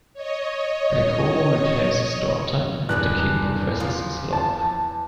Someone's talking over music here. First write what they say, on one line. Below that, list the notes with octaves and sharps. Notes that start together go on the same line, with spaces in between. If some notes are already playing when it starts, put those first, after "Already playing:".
Giacomo reclaims his daughter, and the King professes his love.
C#5 D#5
E2 G2 D#3 D4 F#6
D#2 F3 F4
A5